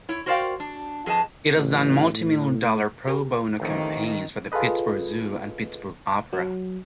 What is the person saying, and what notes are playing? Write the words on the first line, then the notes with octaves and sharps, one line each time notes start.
It has done multimillion-dollar pro-bono campaigns for the Pittsburgh Zoo and Pittsburgh Opera.
E4 C#5
F#4 A#4 C5 D5 F5 G5
D4
F2 G#4 B4 D#5 A5
A1
A2
G4 G#4 A#4
A1 F2 D#3
F4 G#4 A4 B4 D#5
F#3